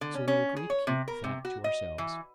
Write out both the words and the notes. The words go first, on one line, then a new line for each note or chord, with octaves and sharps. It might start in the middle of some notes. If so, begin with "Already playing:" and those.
So we agree to keep the fact to ourselves.
D3
C#4
C#4
G#4
C#5
C3
A#4
C3
F#4
D#5
E3